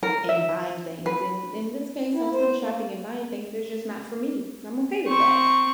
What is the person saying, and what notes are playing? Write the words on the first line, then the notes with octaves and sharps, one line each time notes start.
and buying things, and in this case, I'm still shopping and buying things. They're just not for me. I'm okay with that."
A#4
E5
B4
E4
C5
A#3
C4 C#6